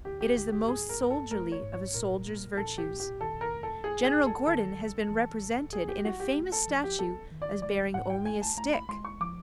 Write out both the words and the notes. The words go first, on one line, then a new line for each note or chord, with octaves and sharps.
It is the most soldierly of a soldier's virtues. General Gordon has been represented in a famous statue as bearing only a stick.
D2 G4
G4
D2 G4
G4
G#1 G#4
A#4
G2
A4
A3 A#4
C#5
G#2
C#5
A#2 A#4
A#3
A#1 A4
G4
A#1
G4
D#2 A4
A#4
F1
A4
G#1 G#4
G#4
G#1
A4
D#3 A4
G3
E3
A1
D#2 G#4
G4
G3 F#4
G4
A3
A4
F3
G4
B3 A4
D#3
D5
G#3 D5
G#2 F#5
G5
A3 G#5
A5
A3 A#5
B5
G#3 C6
C#6
F3 D6